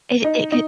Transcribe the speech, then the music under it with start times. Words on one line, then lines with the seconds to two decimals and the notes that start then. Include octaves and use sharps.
It it could
0.24 D#4 D#5
0.52 D#4 D#5